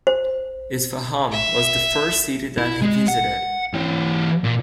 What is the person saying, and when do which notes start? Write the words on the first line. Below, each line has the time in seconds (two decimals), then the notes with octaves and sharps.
Isfahan was the first city that he visited.
0.07 C5
1.32 E5
2.58 E4
2.82 G#3
3.08 F#5
3.74 E3 G4
4.44 A#2